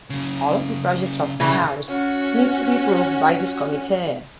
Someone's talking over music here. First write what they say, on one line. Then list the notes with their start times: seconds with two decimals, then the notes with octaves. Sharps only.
All of the projects of the House need to be approved by this committee.
0.10 F#2 C#3
1.40 C#3 E3 C#4 G4
1.89 C#4 F#4